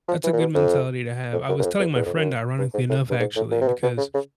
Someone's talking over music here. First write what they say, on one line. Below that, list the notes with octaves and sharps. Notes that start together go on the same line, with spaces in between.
that's a good mentality to have. I was telling my friend, ironically enough, actually, because
F3
E3
A#2
B2
F2
F2
F#2
F#2
F2
E2
E2
F2
F#2
G2
G#2
A2
G2
G#2
A2
A#2
C3
B2
B2
C#3
C#3